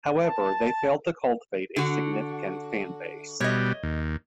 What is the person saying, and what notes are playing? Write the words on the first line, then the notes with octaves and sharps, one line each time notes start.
However they failed to cultivate a significant fan-base.
A5
D3 F#4
B2 G3 C#5 D#5
D#2